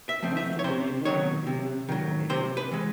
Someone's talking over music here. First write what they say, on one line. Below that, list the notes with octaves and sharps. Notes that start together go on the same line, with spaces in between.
Most of the labour and materials were donated.
E5
F3 A3 C4
E5
C#5
C3 C5
D#3 F#3 C#5
C3
D#3 F#3
C3 C5
B4
E3 G#3